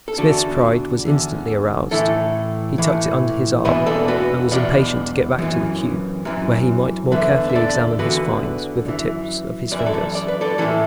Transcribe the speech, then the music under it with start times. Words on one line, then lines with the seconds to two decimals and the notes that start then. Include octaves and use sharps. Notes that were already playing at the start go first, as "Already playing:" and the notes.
Smith's pride was instantly aroused; he tucked it under his arm, and was impatient to get back to the cube, where he might more carefully examine his find with the tips of his fingers.
0.08 A4
0.18 E2 D3 D4 F#4
1.05 E2 D3
1.91 A2 E3 E4 A4
2.78 A2 E3
3.65 E2 B2 B4 E5
3.86 A4 D5
4.08 F#4 B4
4.51 E2 B2 D5 F#5
5.39 F#2 E3
6.25 F#2 E3
7.11 E2 D3 B4 E5
7.49 E5
7.55 A4 D5
7.99 E2 D3 F#4 B4
8.85 F#2 E3
9.71 F#2 E3 D5
9.79 E5
9.86 A4 D5
10.15 D5
10.28 B4
10.41 A4 D5
10.58 A2 E3 E4 A4